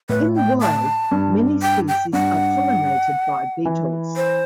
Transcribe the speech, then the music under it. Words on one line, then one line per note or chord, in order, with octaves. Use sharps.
In the wild, many species are pollinated by beetles.
A2 B4
G5
A5
G2
G5
G5
G2 F#5
E3
C5